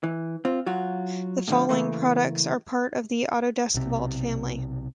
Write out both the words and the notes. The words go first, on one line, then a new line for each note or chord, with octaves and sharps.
The following products are part of the Autodesk Vault Family.
E3
C4 F4
F#3 F4 F#4
A2 D3 F3
C#3 E3 A3 A#3
B1 C3